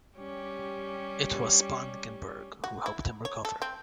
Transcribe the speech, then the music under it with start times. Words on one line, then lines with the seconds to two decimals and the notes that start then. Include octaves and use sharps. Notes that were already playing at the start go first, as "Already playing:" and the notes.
It was Spangenberg who helped him recover.
0.18 G3 C#4 G4
2.64 F#4
2.86 E4
3.25 C#5
3.45 A4
3.62 C4